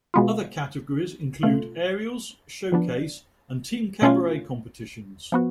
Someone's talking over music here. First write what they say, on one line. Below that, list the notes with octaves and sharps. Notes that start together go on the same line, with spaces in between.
Other categories include Aerials, Showcase, and Team Cabaret competitions.
B2 G#3 B3 F4
B2 A3 F4
F3 B3 D4
B2 A3 C#4 F4
F3 B3 F#4